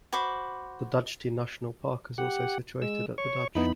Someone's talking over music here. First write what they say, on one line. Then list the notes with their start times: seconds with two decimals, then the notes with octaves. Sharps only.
The Dajti National Park is also situated at the Dajt.
0.12 F#4 C5 B5 D6
2.18 G4 F#5
2.82 G#3 E6
3.18 C#5 C#6
3.55 F2 B3 D#4 E4 B5